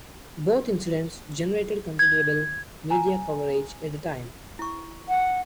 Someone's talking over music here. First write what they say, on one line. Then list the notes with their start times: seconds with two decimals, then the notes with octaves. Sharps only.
Both incidents generated considerable media coverage at the time.
1.99 G#6
2.90 G#5 A#5
4.59 E4 C#6
5.08 F#5